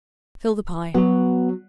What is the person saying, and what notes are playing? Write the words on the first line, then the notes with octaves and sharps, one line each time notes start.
Fill the pie.
F#3 B3 F#4